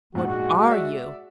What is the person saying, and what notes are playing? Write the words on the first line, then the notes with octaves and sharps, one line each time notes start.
What ARE you?
A#1 G#2 G#3 F#4 F#5
D5 E5